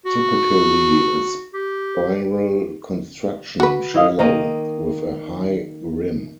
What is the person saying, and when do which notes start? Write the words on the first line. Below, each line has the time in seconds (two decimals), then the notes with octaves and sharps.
Typically of spiral construction, shallow, with a high rim.
0.05 F#4
1.54 G4
3.60 F#4 B4
3.94 E4 D#5 F5
4.19 D#3 A#3 D#5